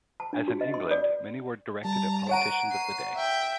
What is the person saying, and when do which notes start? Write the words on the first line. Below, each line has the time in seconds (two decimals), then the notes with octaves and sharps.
As in England, many were directed at politicians of the day.
0.20 A5
0.33 D4
0.48 F#4
0.61 D#5
0.74 C6
0.91 D5
1.85 G3 A5 A#5
2.29 C#5 F#5 A#5 D7 D#7
2.70 C7 D#7
3.15 E5 G5